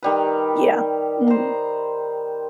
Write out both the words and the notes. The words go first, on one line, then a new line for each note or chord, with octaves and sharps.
Yeah. Mhm.
D#3 G3 B4
C5 A#5